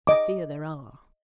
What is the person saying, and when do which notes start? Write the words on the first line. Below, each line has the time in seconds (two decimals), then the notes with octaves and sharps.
I fear there are.
0.07 D#5 D6